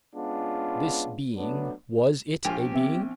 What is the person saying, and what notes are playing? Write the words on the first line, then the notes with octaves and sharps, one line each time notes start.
This being--was it a being?
G#3 B3 C#4 D4 F4
F#3 A3 B3 D4
A#1 F4 G4 G5 G#5
G4
B3 C4 E5